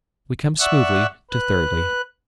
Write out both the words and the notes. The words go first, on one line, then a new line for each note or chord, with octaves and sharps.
'We come smoothly to thirdly.
D5 E5 F#5 C#6 E6 F#6
B4 F#6